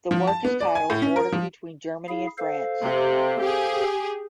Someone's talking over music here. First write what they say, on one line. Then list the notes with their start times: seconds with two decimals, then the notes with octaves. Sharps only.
The work is titled "Border between Germany and France".
0.11 F3
0.27 A5
0.45 B3
0.60 D5
0.75 G#5
0.90 A2
1.02 C#4
1.16 A#4
1.32 F3
2.09 E4 G#4 F5
2.38 A4 C5 F5
2.82 C3
3.42 G4 G#4